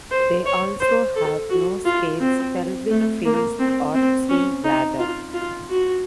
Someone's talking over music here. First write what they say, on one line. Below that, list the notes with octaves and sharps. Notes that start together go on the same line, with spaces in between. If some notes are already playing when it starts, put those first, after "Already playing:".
They also have no scales, pelvic fins or swim bladder.
C5
C#5
C5
A4
F#4
F4
C4
A3
A#3
C4
C4
C#4
D#4
F4
F4
F#4